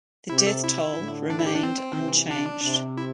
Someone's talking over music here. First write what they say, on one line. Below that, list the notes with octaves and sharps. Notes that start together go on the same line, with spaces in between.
The death toll remained unchanged.
C3 E4
G4
A4
E4
A2 D3
D4
E4
G4
D4
C4
C3 E3
D4
C3
E4